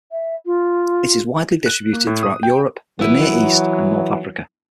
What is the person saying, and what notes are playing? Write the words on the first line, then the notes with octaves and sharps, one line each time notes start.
It is widely distributed throughout Europe, the Near East and North Africa.
E5
F4
F#6
A#3
A2
D#6
G5
E3 F#3 B3 E4 B4